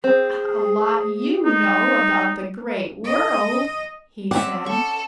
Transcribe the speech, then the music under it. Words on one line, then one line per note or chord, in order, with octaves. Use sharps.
"A lot you know about the Great World," he said.
C4 G#4
D#4
D#5
C4 C#4 E5 F#5 D6
A4 C#6